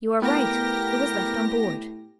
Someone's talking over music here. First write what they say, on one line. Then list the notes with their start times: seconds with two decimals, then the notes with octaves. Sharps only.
"You are right; it was left on board."
0.22 A2 B3 G4 A#4 G5 A#6